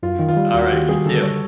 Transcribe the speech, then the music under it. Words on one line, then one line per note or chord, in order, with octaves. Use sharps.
Alright, you too.
F#2 F4
D#3
F4
G3
D#2 F#4
D#3 G4
G3 G#4
D3 A4
G3 C#5